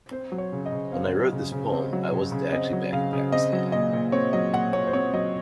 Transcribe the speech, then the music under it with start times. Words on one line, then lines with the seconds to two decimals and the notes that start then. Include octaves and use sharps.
When I wrote this poem I wasn't actually back in Pakistan.
0.11 C4 C5
0.32 F#3
0.38 C#5
0.52 C#3
0.66 D#5
0.72 C#3
0.92 C4 F5
1.13 F#3
1.33 C#3
1.52 C#3
1.72 C4
1.93 F#3
2.13 C#3
2.32 C#3
2.53 C4 D#5
2.73 F#3
2.93 C#3 F5
3.13 C#3
3.32 C4 D#5
3.53 F#3
3.72 A#2 D#5
3.93 A#2
4.12 C4 C#5
4.33 F#3 D#5
4.53 A#2 F#5
4.73 A#2 C#5
4.87 C5
4.93 C4 C#5
5.13 F#3 D#5